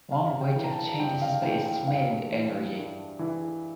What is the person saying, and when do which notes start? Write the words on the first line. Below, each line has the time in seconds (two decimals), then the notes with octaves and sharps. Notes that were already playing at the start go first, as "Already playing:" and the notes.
One way to obtain this is by estimating the energy.
0.12 G2 F5
0.41 G5
0.55 E3
0.64 A#5
0.71 A5
1.00 G2 G5
1.22 F5
1.43 E3 G5
1.66 G5
1.88 G2 F5
2.31 E3
2.75 G2
3.19 E3